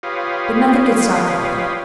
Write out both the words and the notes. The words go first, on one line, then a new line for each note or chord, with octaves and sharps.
But nothing could stop the boy.
F4 G4 B4 C#5 F5 D#6